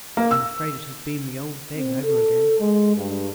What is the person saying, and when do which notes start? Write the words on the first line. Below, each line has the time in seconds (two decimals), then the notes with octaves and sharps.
I'm afraid it has been the old thing over again.
0.17 A#3
0.31 E6
1.75 C4
2.03 A4
2.59 G#3
2.97 G2